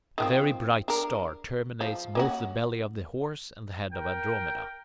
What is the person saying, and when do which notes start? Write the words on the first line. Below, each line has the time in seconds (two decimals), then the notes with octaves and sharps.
A very bright star terminates both the belly of the Horse and the head of Andromeda.
0.18 D#3 F3 C4
0.88 D4 A#4
1.81 F3
2.15 A#3 C#4 F#4
3.93 A#4 G5